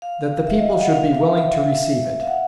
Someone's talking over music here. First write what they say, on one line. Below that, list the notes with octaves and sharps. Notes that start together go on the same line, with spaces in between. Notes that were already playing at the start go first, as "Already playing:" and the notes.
That the people should be willing to receive it.
F5
E5
D#5
F5
F#5
F5
E5
E5
F5
F#5